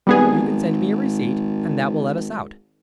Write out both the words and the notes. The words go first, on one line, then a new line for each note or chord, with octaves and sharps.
You can send me a receipt and that will let us out.
G#1 G3 B3 G#4